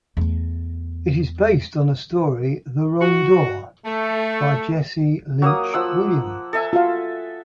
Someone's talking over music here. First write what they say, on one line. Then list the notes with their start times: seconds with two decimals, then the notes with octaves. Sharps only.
It is based on an story "The Wrong Door" by Jesse Lynch Williams.
0.17 E2 A3
3.01 F#4
3.85 A3
5.42 F#3 A#3 D#6
5.74 F3 F#5 E6
6.53 A4 E5 G#5
6.73 F4 F#4 F5